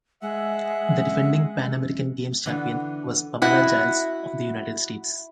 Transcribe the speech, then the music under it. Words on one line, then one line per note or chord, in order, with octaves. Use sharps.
The defending Pan American Games champion was Pamela Jiles of the United States.
G#3 E5 F#5
D3 E3 B3
E4 F#4 D#5 F#5